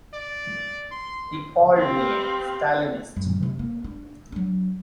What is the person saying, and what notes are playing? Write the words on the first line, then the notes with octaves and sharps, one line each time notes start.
He called me a Stalinist.
D5
C6
C4 G4 B4 F5
F#2
C3
A#3
D4
F#3 D4